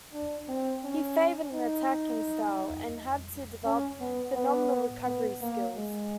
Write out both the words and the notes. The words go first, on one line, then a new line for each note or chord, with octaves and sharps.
He favoured an attacking style, and had to develop phenomenal recovery skills.
D4
C4
C#4
D#4
C#4
B3
B3
B3
A#3
G#3